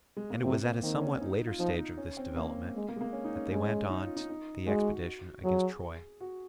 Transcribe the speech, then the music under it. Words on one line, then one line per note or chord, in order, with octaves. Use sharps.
And it was at a somewhat later stage of this development that they went on the expedition against Troy.
G#3
A#3
C3 C4
A#3
D#3 C4
C#4
C#4
D#4
F4
F3 D#4
D#4
C#4
C4
A#3
G#3
A#3
G#3
A#3
C#4
D#4
C#4
G#3
D#4
F4
D#4
D#4
G#3 F#4
F#3 G#4
F#4